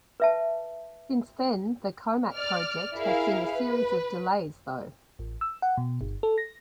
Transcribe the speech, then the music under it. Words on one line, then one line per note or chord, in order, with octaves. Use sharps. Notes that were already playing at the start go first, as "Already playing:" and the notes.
Since then, the Comac project has seen a series of delays, though.
B4 E5 A5
D5 F6
E4 G#4 A#4 F5
B4
A1
E6
F#5
B2
G1
A4
A#6